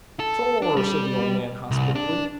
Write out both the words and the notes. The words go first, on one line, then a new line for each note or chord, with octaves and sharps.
"Shore!" said the old man hospitably.
A4
D4
G3
C2
D4